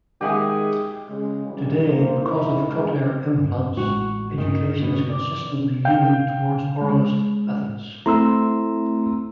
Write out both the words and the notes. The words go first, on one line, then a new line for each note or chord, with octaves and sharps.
Today, because of cochlear implants, education is consistently leaning towards oralist methods.
D#3 G#3 G4 G#4 E5 F#5 G#5 D#6
C#3 G#3
C#3 E3 F#3 G3
G2 A#3 A#4 C5
F2 D#4 E4
G2 E3 F3 G#3
F1 G2 C#3
A1 G#3 F#4
G2 D#3 C#4
B2
D5
F5 G5 G6
G#3
A3 C4 E4 A#5 C6 E6